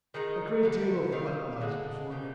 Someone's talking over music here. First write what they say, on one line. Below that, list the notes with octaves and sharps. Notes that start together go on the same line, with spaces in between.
"A great deal of what lies before me?"
D#3 G#3 D#4
D3 G3 A#3
D#3 G3 C4 F5
D3 G#3 D#4
A#2 G3 C4